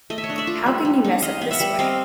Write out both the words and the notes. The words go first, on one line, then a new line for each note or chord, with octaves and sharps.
How can you mess up this way?
A3 D#5
E5
C#5 D#5
D4
D5 E5
F4
G3
G3
D#4
G3 D#5 F5
B3
E5 F#5
G3
C4 D#5 F5